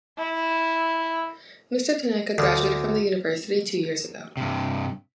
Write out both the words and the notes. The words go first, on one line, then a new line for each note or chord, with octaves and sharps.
Mr. Tanaka graduated from the university two years ago.
E4
D2
G2 C3